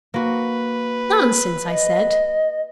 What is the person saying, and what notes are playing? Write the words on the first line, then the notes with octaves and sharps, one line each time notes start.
"Nonsense!" I said.
A#3 F#4 B4
D#5